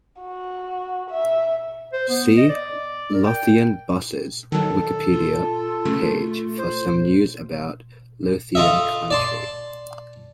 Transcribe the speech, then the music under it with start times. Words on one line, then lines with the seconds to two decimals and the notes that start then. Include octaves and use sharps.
See Lothian Buses wikipedia page for Some news about lothiancountry.
0.21 F#4
1.10 E5
1.93 C5
2.09 B3
2.37 D#5
2.49 D5
3.14 A#4
3.26 G5
4.52 D#3 F#3 A4
5.13 F4
5.85 C#3 A3
6.58 C5
8.55 F4 A4 D#5 E5
9.11 D5 A5 C6